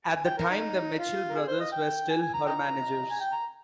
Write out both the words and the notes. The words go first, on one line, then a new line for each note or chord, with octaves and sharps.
At the time the Mitchell Brothers were still her managers.
G#5
G5
A#4
D#4
F4
A#4
G#4
C5
D#5
G5
G#5
G#5
A#5
D#5 G5 A#5
G#5
G5
A#5